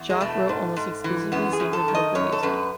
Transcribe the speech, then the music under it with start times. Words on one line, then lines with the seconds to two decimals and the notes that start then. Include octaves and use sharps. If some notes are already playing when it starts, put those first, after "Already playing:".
Jacquet wrote almost exclusively sacred vocal music.
Already playing: E2
0.10 G#3
0.21 B2 A3
0.49 G#2
0.76 G#2
1.04 E3
1.32 F#2 B3
1.53 G#4
1.60 F#2
1.73 A4
1.88 D#3
1.95 D#5
2.15 F#2 C#5
2.32 A4
2.43 F#2 B4